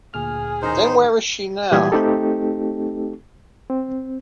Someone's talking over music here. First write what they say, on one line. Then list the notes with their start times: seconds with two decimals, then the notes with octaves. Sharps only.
Then where is she now?
0.14 D2 A#2 G#4 G#5 F6
0.62 A1 D#3 D#4 C5 A#6
1.72 A#2 E3 G3 G4 D#6 G#6
1.92 A3 C4 D#4 G4 A4
3.70 C4